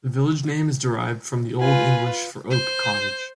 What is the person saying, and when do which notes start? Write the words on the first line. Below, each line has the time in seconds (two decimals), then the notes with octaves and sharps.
The village name is derived from the Old English for "oak cottage".
1.61 F4 B4 G#5
2.51 C5